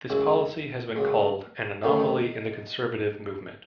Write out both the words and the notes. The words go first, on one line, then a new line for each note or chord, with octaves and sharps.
This policy has been called "an anomaly in the Conservative movement".
F#2 C#3 G#3 E4
F#2 C#3 G#3
F#2 D#3 A3 D#4
C#4
D#4